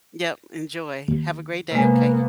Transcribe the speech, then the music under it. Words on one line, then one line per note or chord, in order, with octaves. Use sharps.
Yep, enjoy. Have a great day, okay?
D#2
C3 G#3 A#3 B3